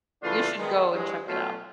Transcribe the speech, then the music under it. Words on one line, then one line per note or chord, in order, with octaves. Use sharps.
You should go and check it out.
C#3 E3 A3 D4 F4
D#3 G#3 B3
G2 E3 G#3
B2 F#3 A3 C#4 F4